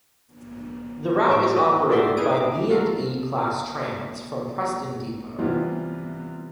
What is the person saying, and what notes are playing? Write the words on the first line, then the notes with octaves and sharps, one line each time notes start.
The route is operated by B and E class trams from Preston depot.
A2 F3 D#4 D5 E5 D6
E4 F#4 G4 B4 D#5
F4 F#4 D5 E5 G5 C6
D#4 E4 G#4 B4 D#6 D7
D6
F4 F#4 A4 A#4
C3 E3 G3 B3 F4